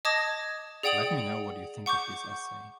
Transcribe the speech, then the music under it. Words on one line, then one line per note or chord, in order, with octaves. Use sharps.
Let me know what you think of this essay.
D#5 A5 D6 D#6 G#6 A#6
G#4 D5 F#5 G5 D#6 F#7
F#5 C#6 D6 G6